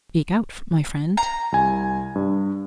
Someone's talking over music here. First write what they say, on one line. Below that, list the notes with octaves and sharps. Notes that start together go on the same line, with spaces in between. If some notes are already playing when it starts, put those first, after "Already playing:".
"Speak out, my friend."
A#5
C2 G#5
G2